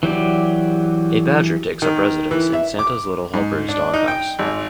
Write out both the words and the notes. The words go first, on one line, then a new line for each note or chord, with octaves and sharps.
A badger takes up residence in Santa's Little Helper's doghouse.
E3 F#3 G4 D5
D#3
E3
E5
D6
G#2
D4
D#4
G5
G#1